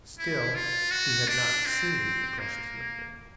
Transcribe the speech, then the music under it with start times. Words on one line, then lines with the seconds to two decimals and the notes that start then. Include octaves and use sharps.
Still he had not seen the precious liquid.
0.19 E4
0.55 F4
0.91 F#4
1.28 D4
1.65 C4
2.39 A#3